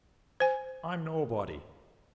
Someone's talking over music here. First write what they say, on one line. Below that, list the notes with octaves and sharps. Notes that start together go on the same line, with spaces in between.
I'm nobody.
C5 G#5